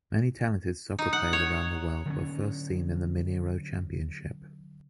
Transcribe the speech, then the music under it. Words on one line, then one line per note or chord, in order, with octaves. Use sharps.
Many talented soccer players around the world were first seen in Mineiro Championship.
D#4
F#5
C#5
D3 F#3 A3 C#4